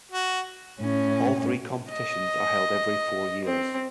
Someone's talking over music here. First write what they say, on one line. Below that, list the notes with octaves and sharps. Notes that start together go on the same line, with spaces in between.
All three competitions are held every four years.
F#4
A2 C#4
D#5
C4